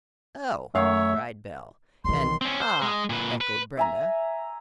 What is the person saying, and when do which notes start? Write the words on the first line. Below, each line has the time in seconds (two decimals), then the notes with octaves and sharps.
"Oh," cried Belle, and "Ah," echoed Brenda.
0.75 F#2 D#3 A3 C#5 E5 F5
2.04 B1 D#3 E3 G3 C6
2.41 C4 C#4
2.62 C5
2.82 G#3
3.10 A#2 B4
3.41 B4
3.77 E5 G#5 A#5